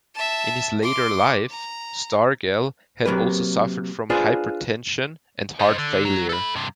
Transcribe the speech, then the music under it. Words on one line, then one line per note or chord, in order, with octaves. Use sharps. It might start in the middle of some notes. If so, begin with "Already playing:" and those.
In his later life, Stargell had also suffered from hypertension and heart failure.
E5 A5
C6 D6
A#5
C3 F3 F#3 A#3 B4
D4 F4 G#4 B4 C5
C5 D#5
D3
F#3
A4 B5
G2 C3